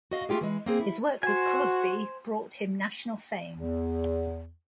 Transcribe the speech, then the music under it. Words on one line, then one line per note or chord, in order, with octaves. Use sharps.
His work with Crosby brought him national fame.
F#4 D#5 F5
A3 C#4 F4 G4 G#4
E3 G#3
A#3 C4 G#4 C5
E4
F#4 C5 G#5
E2